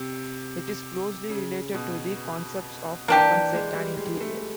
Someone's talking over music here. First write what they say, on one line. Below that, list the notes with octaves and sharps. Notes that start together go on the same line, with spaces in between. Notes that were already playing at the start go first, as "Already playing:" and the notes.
It is closely related to the concepts of open set and interior.
Already playing: C3
C#3
B2
E3 A#3 D4 G4
E3
G#3
G3
G#3
A3